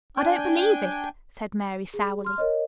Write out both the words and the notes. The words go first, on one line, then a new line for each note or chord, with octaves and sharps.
"I don't believe it!" said Mary sourly.
D4 G5 G#5
G#4
C6 F6
A#4 C#5 D#5